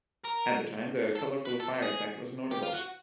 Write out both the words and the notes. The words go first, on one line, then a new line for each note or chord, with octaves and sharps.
At the time, the colorful fire effect was notable.
A#4
A4
B4
A4
G#4
G4
F4
F#4